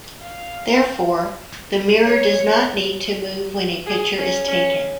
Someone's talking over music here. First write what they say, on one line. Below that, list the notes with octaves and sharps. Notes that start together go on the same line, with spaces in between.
Therefore, the mirror does not need to move when a picture is taken.
F5
C#5
G#4
C#4
C#4